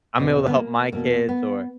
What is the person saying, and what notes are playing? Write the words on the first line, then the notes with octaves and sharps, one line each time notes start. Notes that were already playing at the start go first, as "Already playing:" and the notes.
I'm able to help my kids or,
E2 B2 C4
B3
A#3
E2 B2 A#3
B3